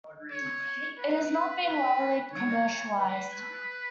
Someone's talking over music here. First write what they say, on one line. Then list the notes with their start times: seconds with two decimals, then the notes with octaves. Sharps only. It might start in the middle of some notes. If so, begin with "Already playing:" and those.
It has not been widely commercialized.
0.31 C#5
0.98 B4
1.64 B4
2.31 C#5
2.98 B4